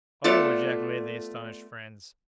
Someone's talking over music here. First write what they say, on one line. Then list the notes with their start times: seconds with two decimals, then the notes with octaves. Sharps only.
"Oh!" ejaculated the astonished friends.
0.24 A3 B3 F4 A4 D5